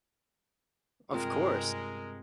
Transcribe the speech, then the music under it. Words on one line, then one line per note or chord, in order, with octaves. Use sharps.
Of course.
G2 C3 G#3 C4 F4 A#4